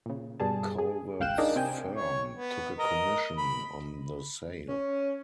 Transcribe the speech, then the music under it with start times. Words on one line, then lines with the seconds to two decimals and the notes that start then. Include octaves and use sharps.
Calvert's firm took a commission on the sale.
0.06 A#2 C#3
0.40 G2 B2 G3 G#4 A5
0.78 G#4
1.20 G#1 C#2 F5 G5 F#6 E7
1.38 D4 D#4 G#4 A#4 D5 D#5
1.55 C3 C4 G5 G#5
1.95 C#5
2.32 B3
2.78 A#4 D#5
3.37 B5
4.69 C#4